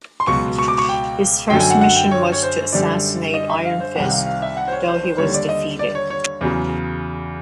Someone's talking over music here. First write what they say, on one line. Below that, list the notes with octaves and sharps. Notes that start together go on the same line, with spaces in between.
His first mission was to assassinate Iron Fist, though he was defeated.
C6
C#2 B2 F#3 C#6
C#6
D6
C#6
G5
F#2 D3 F#3 G5
G#5
F#5
F#5
G5
C#5
C#5
C5
F#2 D3 G3 D5
D#5
E5
F5
C5
C2 C3 D#3 G3 F#5
F5
F5
E5
F#5
C5
C#5
C5
C5
D#2 D3 G3 C#5
D5
D#5
D5
C#5
C#5
E2 C#3 F#3